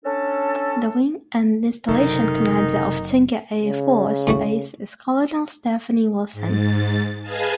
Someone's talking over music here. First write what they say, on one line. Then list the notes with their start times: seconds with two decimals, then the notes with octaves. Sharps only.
The Wing and Installation Commander of Tinker Air Force Base is Colonel Stephanie Wilson.
0.04 C#4 D4 A4
1.88 F#1 A2 C3 D#3 F#3 D#4 A4
3.62 C#3
4.27 A2 A3 F#4
6.33 G#2 A6
7.21 G#4 B4 D#5 F5 G#5 A5